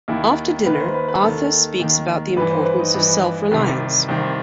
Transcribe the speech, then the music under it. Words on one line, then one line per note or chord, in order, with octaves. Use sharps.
After dinner, Arthur speaks about the importance of self-reliance.
D#2 D#3 E4
D#2 D#3 B4
C5
B4
B4
D#2 D#3 A4
D#2 D#3
G2 E3 B4
C5
B4
D#4
G2 E3
C2 C3 D#3
C2 C3 D#3 C4